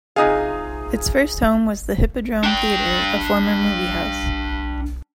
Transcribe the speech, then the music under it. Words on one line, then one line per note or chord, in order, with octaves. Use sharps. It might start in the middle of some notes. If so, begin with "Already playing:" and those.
Its first home was the Hippodrome Theatre, a former movie house.
C3 D#4 F4 G#4 F5 G#5 D#6
D4 G5